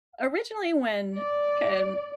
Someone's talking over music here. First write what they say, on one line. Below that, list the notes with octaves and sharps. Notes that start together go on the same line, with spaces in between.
originally when, kind of,
D5